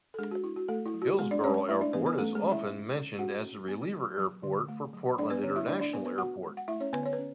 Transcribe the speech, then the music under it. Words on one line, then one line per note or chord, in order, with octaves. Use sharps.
Hillsboro airport is often mentioned as a reliever airport for Portland International Airport.
A4
G#3 D4 G#4
F#4
D4 E4
F#4
A3 A4
E4
F#3
F#4
G#3 B3 G#4
D4 D5
G#3 C#4 C#5
A3 E4 E5
D4 D5
E3 B3 B4
B3 B4
A3 C#4 A4
G#3 G#4
C#4
E4 E5
C#4
C#4
C#4 F#4 F#5
C#4
B3
F#3
F#3
D3
A3
F#3
F#3 D4 D5
B3 B4
D3 C#4 C#5
E4 E5
A3 D4 D5
D4 D5
F#3 B3 B4
B3 B4
B3 F#4 F#5
G#3
F#5
A3 E4 E5
C#4 C#5
D3 B3 B4
C#5
B4
C#4